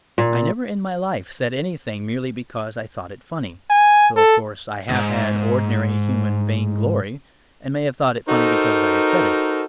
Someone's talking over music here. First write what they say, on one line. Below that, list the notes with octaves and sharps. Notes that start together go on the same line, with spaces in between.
I never in my life said anything merely because I thought it funny; though of course, I have had ordinary human vainglory, and may have thought it funny because I had said it.
A#2
G#5
A4
D2 G#2
D#4 F#4 A4 A#4 C5